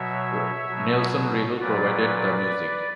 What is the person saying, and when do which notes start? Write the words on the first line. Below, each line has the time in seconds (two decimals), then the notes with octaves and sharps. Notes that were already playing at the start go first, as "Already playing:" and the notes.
Nelson Riddle provided the music.
Already playing: B2 F#3 C#5 E5
0.70 B2 F#3
1.61 A#2 F#3 B4 D5